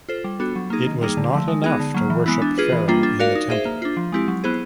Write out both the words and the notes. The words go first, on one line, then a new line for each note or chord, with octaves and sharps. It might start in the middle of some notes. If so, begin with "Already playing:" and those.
It was not enough to worship Pharaoh in the temple.
F4 A4 C5
G3
B3 D4 F#4 A4
F#3
A#3 D#4 G#4
D#3
G3 A#3 D#4 G#4
D3
F3 A3
G#3
B3 D#4 G#4
D3
F#3 A#3
E3
G#3 B3 E4
D4
F4 G#4 B4
E3
G3 A#3 D4 F4
D4
F#4 A#4 D5 F5
D#4
G#4 C5 E5
A#3
D4 F4
F3
G#3 C4 E4 G4
F#3
B3 E4 G#4 C5